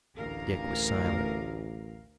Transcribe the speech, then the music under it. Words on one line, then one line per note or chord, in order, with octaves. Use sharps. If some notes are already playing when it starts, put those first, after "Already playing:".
Dick was silent.
A1 D2 A#4 F5